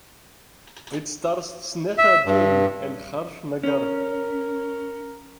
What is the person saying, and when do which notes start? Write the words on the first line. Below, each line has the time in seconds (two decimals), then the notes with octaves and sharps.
It stars Sneha Jain and Harsh Nagar.
1.98 E5
2.26 G2
3.64 C#4 A#4